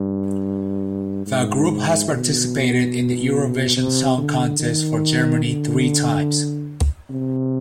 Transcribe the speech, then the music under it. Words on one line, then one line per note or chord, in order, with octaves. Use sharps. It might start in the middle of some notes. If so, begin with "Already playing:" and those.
The group has participated in the Eurovision Song Contest for Germany three times.
Already playing: G2
G#2
B2
C3
D3
D#3
D3
C3